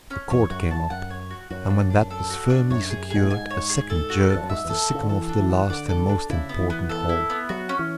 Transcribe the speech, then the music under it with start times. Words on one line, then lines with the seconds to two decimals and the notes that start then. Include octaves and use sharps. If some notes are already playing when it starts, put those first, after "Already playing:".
A cord came up, and when that was firmly secured, a second jerk was the signal for the last and most important haul.
0.10 C#4
0.30 E2 C#5
0.50 F#2 F#4
0.71 E2 A5
0.90 F#2 F#5
1.10 C#5
1.31 F#4
1.50 F#2 F#4
1.70 D4
1.90 D4
2.10 A4
2.30 F#4
2.50 D4
2.70 F#2 C#5
2.90 G#4
3.10 G#4
3.16 B2
3.23 A2
3.30 G#2 G#5
3.50 C#5
3.70 G#4
3.90 A4
4.10 F#4
4.30 E2 A5
4.43 F#2
4.49 G#2 E5
4.65 E2 A4
4.90 C#3 F#4
5.03 D3
5.09 E3 A4
5.29 D4
5.39 E3
5.50 F#5
5.70 D3 D5
5.89 A4
6.09 D4
6.30 C#3 E4
6.49 B3
6.59 E3
6.70 B3
6.89 A4
7.09 E4
7.30 B3
7.49 F#3 F#4
7.69 C#4
7.79 E3